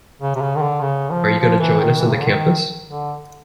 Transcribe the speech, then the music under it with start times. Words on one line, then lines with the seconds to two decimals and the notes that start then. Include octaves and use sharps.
Are you gonna join us in the campus?
0.22 C#3
0.35 C3
0.42 C#3
0.56 D#3
0.62 D3
0.81 C#3
1.11 F3
1.40 F3
1.59 E3
1.80 D#3
1.99 E3
2.07 C3
2.14 C#3
2.21 D3
2.29 D#3
2.87 D3